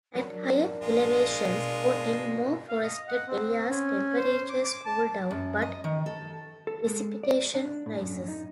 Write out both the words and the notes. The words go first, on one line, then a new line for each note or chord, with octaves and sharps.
At higher elevations or in more forested areas temperatures cool down but precipitation rises.
F#3 D4 A#4
A#1 G#3 F4
B2
F5
D#5
F#5
C4
C#4
C5
D6
D6
A5
F#2
D#5
D#3
A4
A4
G#3
D5
D4
A2
F#2
D#4